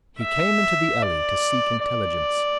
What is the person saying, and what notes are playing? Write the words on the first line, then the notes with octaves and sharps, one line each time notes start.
He came into the alley to seek intelligence.
E5
D5
D5